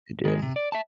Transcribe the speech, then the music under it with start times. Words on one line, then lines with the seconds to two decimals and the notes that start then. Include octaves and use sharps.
It did,
0.25 D#3 G#3
0.42 C3
0.56 D5
0.72 E5 A5